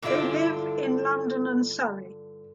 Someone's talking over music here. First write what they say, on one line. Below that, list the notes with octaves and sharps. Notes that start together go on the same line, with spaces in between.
They live in London and Surrey.
G2 D3 E4 F4 A4 D5